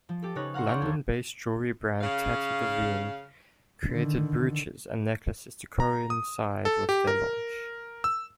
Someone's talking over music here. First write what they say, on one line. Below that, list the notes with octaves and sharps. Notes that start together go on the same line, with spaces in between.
London-based jewellery brand Tatty Devine created brooches and necklaces to coincide with the launch.
F3
G4 A4
C#3 D#4 B4 C#5 F#6 A#6
F5 F#5 A#5 C6 C#6
C#5 D5 A#5 C6 C#6 G6
D#2 A4 G#6
C#3 F5
D3 D#3
A#5
D#6
A4
G4
A#4
E6